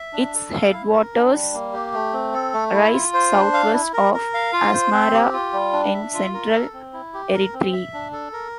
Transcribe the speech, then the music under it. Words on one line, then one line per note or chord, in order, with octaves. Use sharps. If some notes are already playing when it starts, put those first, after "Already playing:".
Its headwaters rise south-west of Asmara in central Eritrea.
Already playing: E5
D4
A4
F5
E4
A#4
D4
G3
A#3
G4
A3
C4
A4
A3
E4
F4
C5
D4
F5
E4
A#4
A#4
F5
F4
C5
C4
G4
F4
G3
D4
E5
F4
A#4
A4
C4
E4
G4
A#4
C4
E5
D4
A4
A#4